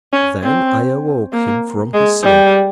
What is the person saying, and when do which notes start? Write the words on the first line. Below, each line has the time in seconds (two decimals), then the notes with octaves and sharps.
Then I awoke him from his sleep.
0.13 C#4
0.42 C4
1.33 A#3
1.94 G#3
2.23 G3